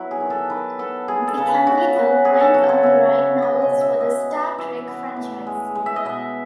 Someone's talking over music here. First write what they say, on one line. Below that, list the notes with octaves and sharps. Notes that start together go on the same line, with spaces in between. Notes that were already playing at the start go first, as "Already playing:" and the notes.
DeCandido went on to write novels for the "Star Trek" franchise.
Already playing: F#3 B3 E4 F#4 B4
G#4
D#3
A4
D#3 B4
B3 A4
G#3 G#4
A4
C#3
B4
C#3 F#4
B3
F#3 G#4
A4
C#3 F#4
C#5
C#3 E5
B3
G#3 D#5
D#5
B2
E5
B2 D#5
B3
E3 E5
B3
A2
G#3
G#3
E5
D#5
B2 E5